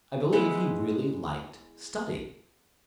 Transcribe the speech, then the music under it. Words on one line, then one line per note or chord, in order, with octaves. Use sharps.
I believe he really liked study.
G#3 B3 E4 C5